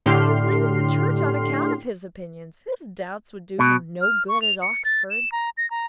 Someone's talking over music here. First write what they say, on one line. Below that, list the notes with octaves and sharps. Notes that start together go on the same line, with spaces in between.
He is leaving the Church on account of his opinions--his doubts would do him no good at Oxford.'
A2 D3 G4 C6 F6 C7
B2
F6
C#6
F7
C#7
A6
E7
A#5
A#6
A#5